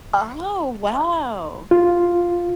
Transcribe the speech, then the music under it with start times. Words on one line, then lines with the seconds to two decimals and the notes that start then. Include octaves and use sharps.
Oh, wow!
1.71 F4